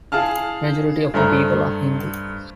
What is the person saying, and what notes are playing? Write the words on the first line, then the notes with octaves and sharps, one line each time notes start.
Majority of the people are Hindu.
E4 G#4 F5 A5 F6
G2 A3 C5 A#5